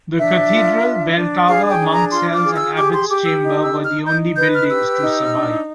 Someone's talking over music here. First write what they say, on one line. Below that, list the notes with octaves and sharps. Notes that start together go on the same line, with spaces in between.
The cathedral, belltower, monk cells and abbot's chamber were the only buildings to survive.
D4 E5
F4
D4
D4
G#4 F5
G5
D4
A#5
F4 C6
D6
G#4
E6
G4 D6
C6
G4 D6
E6
D#4
E6
D#4
F6
D#4 G6
B4 G6
F6
G4 E6
D#4
D4